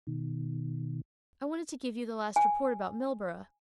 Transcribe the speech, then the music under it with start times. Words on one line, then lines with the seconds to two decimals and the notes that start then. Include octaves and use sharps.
"I wanted to give you the last report about Milburgh."
0.07 B2 D#3
2.36 G#5